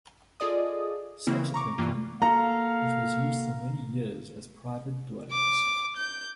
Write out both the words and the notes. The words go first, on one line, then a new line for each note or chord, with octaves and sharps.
Subsequently, it was used for many years as private dwellings.
F4 G#4 A4 D5 D#5 D#6
C#3 E3 A#3 C4 E4
A#5 C#6 D6
G2 E3 A#3 F4
A#3 F#4 A4 F5 A#5
D6
G6